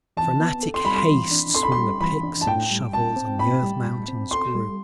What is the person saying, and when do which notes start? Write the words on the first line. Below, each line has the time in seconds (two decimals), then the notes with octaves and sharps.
In frantic haste swung the picks and shovels, and the earth--mountains grew.
0.17 E3 A5
0.40 B3
0.63 A4
0.74 C6
0.85 G3 B5
0.96 C6
1.09 E3
1.31 D4
1.55 A4 C6
1.63 B5
1.72 C6
1.78 G3
2.01 E3 B5
2.23 D4
2.41 A5
2.47 A2 G5
2.70 G3
2.93 A2 A5
3.16 C4
3.39 A2 B5
3.62 G3
3.86 A2
4.08 C4
4.31 A4 C6
4.55 G3